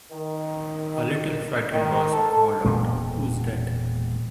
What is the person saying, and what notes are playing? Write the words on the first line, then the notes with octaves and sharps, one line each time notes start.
A little frightened voice called out "Who's that?"
D#3
D#3
A4
E1 A#2 G#3